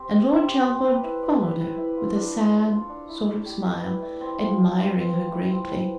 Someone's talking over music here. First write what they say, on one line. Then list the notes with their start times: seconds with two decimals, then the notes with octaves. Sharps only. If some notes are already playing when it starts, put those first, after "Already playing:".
And Lord Chelford followed her, with a sad sort of smile, admiring her greatly.
Already playing: C4 G4
0.10 C5
0.29 C4
0.48 G4
0.67 C4
0.85 B4
1.03 E4
1.23 D5
1.41 E4
1.60 B4
1.78 E4
1.97 F4
2.16 D4
2.35 A4
2.53 D4
2.71 F4
2.90 D4
3.09 E4
3.27 A3
3.46 G4
3.65 B4
3.83 E4
4.02 A3
4.21 C4
4.40 F3
4.58 F4
4.77 B4
4.96 C4
5.14 F3
5.33 E4
5.51 C4
5.70 B4